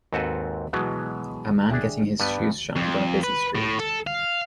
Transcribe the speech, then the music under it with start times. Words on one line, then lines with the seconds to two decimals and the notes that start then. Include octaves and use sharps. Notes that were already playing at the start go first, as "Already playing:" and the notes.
A man getting his shoes shined on a busy street.
0.13 D#2 G#2 C4 F#4 A4 B4
0.73 B2 E3 F#3 G#3 B3
1.70 D4 G#4 E5 G5
2.20 G2 G3 B3 B4
2.76 F2
3.24 B4
3.55 A2
3.79 A4
4.07 F5